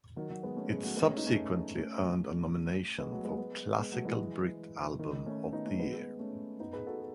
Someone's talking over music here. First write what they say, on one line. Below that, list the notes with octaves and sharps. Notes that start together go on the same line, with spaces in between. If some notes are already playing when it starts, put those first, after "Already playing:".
It subsequently earned a nomination for Classical Brit Album of the Year.
D#3 F#3
D#3 F#3
G#3 B3
A3 C#4
G#3 B3
F#3 A3
G#3 B3
A3 C#4
B3 D#4
A3 C#4
A3 C#4
G#3 B3
F#3 A3
G#3 B3
G#3 B3
G#3 B3
F#3 A3
E3 G#3
D#3
D#3
A3 C#4
B3 D#4
A3 C#4
G#3 B3
A3 C#4
B3 D#4
G#4 B4
F#4 A4
G#4